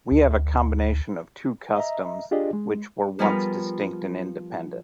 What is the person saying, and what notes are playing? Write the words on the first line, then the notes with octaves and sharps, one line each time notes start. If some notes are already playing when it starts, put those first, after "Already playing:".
We have a combination of two customs which were once distinct and independent.
D2
D#5 E5 A#5
D4 F4 G4 G#4 D5 D#5
G#3
F3 G3 B3 G#4 A#4 B4